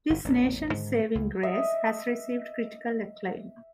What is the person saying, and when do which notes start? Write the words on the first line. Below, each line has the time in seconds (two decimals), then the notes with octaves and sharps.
"This Nation's Saving Grace" has received critical acclaim.
0.10 G1
0.24 A1 E2 A#2
0.71 G#2 D3 D#3
1.15 C#2
1.43 D#5 E5